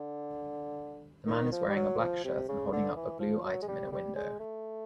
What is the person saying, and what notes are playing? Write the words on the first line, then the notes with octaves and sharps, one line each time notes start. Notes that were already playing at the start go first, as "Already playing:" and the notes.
The man is wearing a black shirt and holding up a blue item in a window.
Already playing: D3
D#3
F3
G3
F#3
F3
C3
C#3
D3
E3
F3
F#3
G#3
G3
G3
G#3
A3